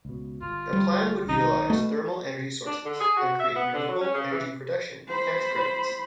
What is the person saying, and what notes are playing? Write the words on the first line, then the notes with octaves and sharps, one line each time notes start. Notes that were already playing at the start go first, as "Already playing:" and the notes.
The plan would utilize thermal energy sources and create renewable energy production tax credits.
C#2 B2
G1 F4
G3
B1 D#3 D#4
B2 A3
D4
D3
G#4
F#4
E5
B3
D3
F#3
C#4
C#3
E3
C5 B5